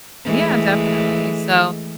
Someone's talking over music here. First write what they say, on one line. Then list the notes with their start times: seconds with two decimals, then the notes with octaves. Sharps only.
Yeah, definitely, so.
0.25 E3 G#3 A3